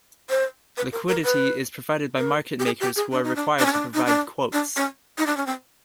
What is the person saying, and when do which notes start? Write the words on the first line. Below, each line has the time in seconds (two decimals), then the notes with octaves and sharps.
Liquidity is provided by market makers who are required to provide quotes.
0.30 C5
0.77 B4
0.92 A#4
1.08 A#4
1.24 B4
2.18 A#4
2.60 G4
2.65 G#4
2.80 G4
2.96 G#4
3.12 D4
3.24 D#4
3.36 D4
3.59 D4
3.66 C#4
3.73 D4
3.94 D#4
4.06 D4
4.53 D4
4.77 C#4
5.18 D#4
5.27 D4
5.37 C#4
5.47 C4